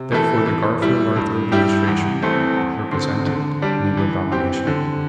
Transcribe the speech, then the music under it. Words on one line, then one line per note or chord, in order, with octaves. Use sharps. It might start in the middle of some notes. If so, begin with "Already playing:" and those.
Therefore, the Garfield-Arthur administration represented "Negro Domination."
Already playing: C3
E3 A3 E4 A4
E3
G3 E4
G2
G3 E4 G4
E2
E3 A3 C4
E2
D3 C4
D3
G3 D4
E3
C4 G4
D3